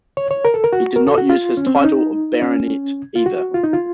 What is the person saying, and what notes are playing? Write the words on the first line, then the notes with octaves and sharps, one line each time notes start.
He did not use his title of baronet either.
C#5
C#5
A#4
A4
A#4
F#4
A#4
A4
F#4
F4
C#4
C4
C#4
D#4
C#4
F4
F#4
F4
D#4
F4